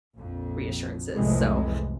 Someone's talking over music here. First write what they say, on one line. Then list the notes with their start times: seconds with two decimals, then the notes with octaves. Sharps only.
reassurances, so,
0.15 A#1 F2
1.14 C2 F2 A2 E3 G#3